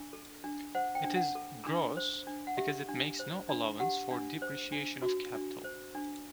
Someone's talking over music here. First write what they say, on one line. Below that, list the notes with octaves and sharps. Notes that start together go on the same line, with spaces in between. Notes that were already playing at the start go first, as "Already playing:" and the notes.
It is "gross" because it makes no allowance for depreciation of capital.
Already playing: D4
A4
D4
C5 F#5
G5
D4
F#5
A4
D4
C5
D4
F#5
G4 E5
D4
C5
D4
G4 F#5
D4
C5
D4
F#4
D4
C5
D4